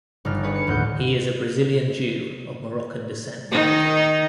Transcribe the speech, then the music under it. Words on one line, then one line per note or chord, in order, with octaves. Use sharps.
He is a Brazilian Jew of Moroccan descent.
G1 G3 D#4 A4 F6
G#4 B4 C#5
C#7
D#1 D2 A2 F#5 G6
D#3 D#4